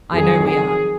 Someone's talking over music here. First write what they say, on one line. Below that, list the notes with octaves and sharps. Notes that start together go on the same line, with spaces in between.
I know we are!'
F2 D#3 F#3 G#4
G#4